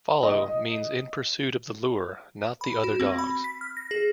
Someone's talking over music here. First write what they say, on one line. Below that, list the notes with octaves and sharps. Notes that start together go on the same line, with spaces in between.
"Follow" means in pursuit of the lure, not the other dogs.
D#5
B5
F#4
C4
B5
B6
F6
A#6
G#4